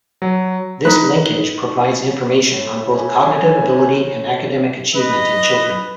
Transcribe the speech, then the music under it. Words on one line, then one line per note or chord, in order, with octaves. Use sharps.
This linkage provides information on both cognitive ability and academic achievement in children.
F#3
D#4 B4
A2
G#5
B4 D#5